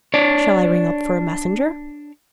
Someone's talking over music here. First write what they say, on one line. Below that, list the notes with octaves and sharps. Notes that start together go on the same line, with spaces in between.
"Shall I ring up for a messenger?"
D4 C#5 D5